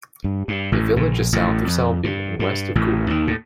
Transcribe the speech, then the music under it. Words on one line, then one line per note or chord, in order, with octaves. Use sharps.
The village is south of Selby and west of Goole.
G2
G2
A1 A2
A#1 A#2
A1 A2
F2
G2
G2
A1 A2
D#2 D#3
A2